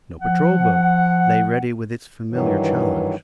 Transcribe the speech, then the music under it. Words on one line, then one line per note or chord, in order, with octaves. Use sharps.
No patrol boat lay ready with its familiar challenge.
F3 F#5
G2 D#3 E3 F#3